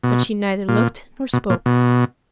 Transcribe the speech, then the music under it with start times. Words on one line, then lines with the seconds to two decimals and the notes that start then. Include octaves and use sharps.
But she neither looked nor spoke.
0.04 B2
0.68 A#2
1.33 B2
1.50 A#2
1.66 B2